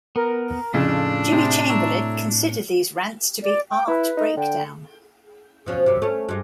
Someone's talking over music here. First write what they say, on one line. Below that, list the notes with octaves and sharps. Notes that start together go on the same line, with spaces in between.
Jimmy Chamberlin considered these rants to be "art-breakdown".
B3 A#4
F2 A2 C#3 D4 F4 A4
C3 E4 G#4 C5
C#5 E5 A#5
D5
G5
E4 B4
D#4
D3 G5
B2 F3 C#4
F#2 C3
A3 C#4
G2 G#3